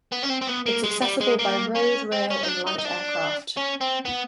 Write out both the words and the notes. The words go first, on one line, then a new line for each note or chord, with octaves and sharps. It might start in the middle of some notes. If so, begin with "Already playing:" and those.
It is accessible by road, rail and light aircraft.
B3
C#4
C4
C4
B3
A#3
G#3
G3
G#3
A#3
C#4
C4
C#4
D#4
D4
D#4
D#4
D4
C#4
C4
B3